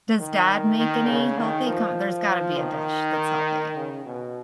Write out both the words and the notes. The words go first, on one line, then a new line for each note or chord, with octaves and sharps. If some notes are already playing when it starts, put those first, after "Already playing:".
Does dad make any healthy kin there's gotta be a dish that's healthy.
D#3
D#3
C#3
D#3
F3
D#3
C#3
B2